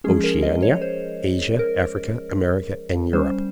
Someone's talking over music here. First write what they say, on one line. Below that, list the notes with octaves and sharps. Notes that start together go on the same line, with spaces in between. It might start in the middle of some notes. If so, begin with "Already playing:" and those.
"Oceanica, Asia, Africa, America, and Europe."
F3 G#3 C#4 G#4
A#4
D#5
C#5
C5
A#4
G3 C#4 C5